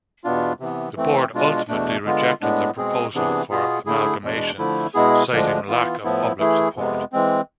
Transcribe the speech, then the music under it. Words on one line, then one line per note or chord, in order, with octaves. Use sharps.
The board ultimately rejected the proposal for amalgamation, citing lack of public support.
E2 B2 B3 D4 F4
C3 E3 B3
E3 A3 C4
B2 G#3 D4 F4
E2 B2 A3 D4
D3 G#3 B3 F4
A2 G#3 B3 D4
B2 G#3 C4 G#4
C3 E3 B3 D4 G#4
B2 B3 F4 G#4
D3 A3 E4 G#4
E2 B2 G#3 D4
D3 F3 A3 E4
B2 G#3 B3 E4 G#4
D2 D3 F3 G#3 D4
E3 B3 F4
A2 F3 B3 E4
E3 A3 E4 G#4
F2 C3 G#3 B3
E3 G#3 C4